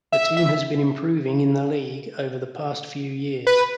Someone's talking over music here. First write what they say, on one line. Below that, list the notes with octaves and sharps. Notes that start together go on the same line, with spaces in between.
The team has been improving in the League over the past few years.
E5
E5
B4